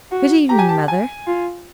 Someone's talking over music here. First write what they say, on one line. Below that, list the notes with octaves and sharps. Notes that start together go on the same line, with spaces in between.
'Good evening, Mother.'
F#4
G4 A#5
G#5
A5
G#5
F4